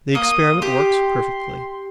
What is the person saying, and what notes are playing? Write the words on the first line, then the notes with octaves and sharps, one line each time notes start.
The experiment works perfectly.
A#3 D#6
G4 C6